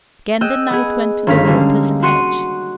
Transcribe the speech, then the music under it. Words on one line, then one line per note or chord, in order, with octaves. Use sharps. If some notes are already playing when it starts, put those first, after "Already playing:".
Again the knight went to the water's edge.
G#4 D#5 G5 E6 F#6 G6
B3 G#4
G1 D#3 C#4 F5 B6
D3 G3 G#3 A#3
F#4 C6 F#6 C#7 D#7